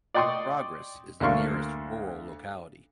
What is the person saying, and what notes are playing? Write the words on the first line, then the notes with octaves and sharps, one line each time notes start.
Progress is the nearest rural locality.
D5 D#5 G5 C6 C#6 D#6
D2 A#3 D4 F5 C6 C#6